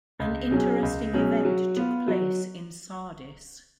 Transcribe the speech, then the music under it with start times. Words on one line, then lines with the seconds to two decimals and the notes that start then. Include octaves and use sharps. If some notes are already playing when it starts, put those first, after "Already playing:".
An interesting event took place in Sardis.
0.20 C#2
0.51 B2 F#3 C#4 G#4
0.83 C#2
1.14 B2 F#3 C#4 G#4
1.45 F#3
1.77 B3 F4
2.08 F#3